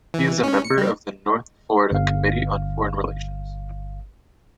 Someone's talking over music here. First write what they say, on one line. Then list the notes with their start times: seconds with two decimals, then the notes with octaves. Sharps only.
He is a member of the North Florida Committee on Foreign Relations.
0.14 E3
0.43 C#4
0.65 C#7
0.77 G3
1.91 G1 F5